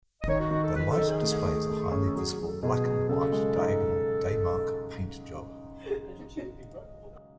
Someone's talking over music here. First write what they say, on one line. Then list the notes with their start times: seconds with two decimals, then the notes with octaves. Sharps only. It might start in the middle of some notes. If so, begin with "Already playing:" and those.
The light displays a highly visible black and white diagonal Daymark paint job.
0.22 D#5
0.28 D#3 C#5
0.40 F#4
0.51 D#3 F#4
0.63 A4
0.75 D#3 B4
0.91 A4
0.98 D#3
1.07 G#4
1.22 A3
1.45 A3
1.69 A3
1.92 C#4
2.04 A4
2.16 F#3 G#4
2.30 G#4
2.39 F#3
2.47 A4
2.62 B2 G#4
2.85 F#3
3.09 C#3 A4
3.32 G#3
3.56 D#4